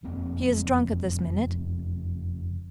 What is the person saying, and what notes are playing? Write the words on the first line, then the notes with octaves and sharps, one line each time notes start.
She is drunk at this minute.
F#1 F2 A#3 C4